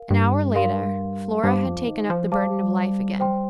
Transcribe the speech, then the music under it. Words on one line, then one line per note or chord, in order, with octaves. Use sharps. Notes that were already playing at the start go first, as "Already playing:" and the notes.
An hour later Flora had taken up the burden of Life again.
Already playing: A#4 F5
G2
A#4 F5 C6
G2 C5 F5 A5 D6
F2
D#3
F3
G3 C5 F5 A5 D6
C5 G5 C6